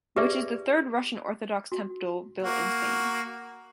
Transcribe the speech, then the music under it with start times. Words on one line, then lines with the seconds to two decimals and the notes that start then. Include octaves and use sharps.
Which is the third Russian Orthodox temple built in Spain.
0.16 G4 G#4 B4 D5 E5
1.72 F#4
2.42 A#3 F#4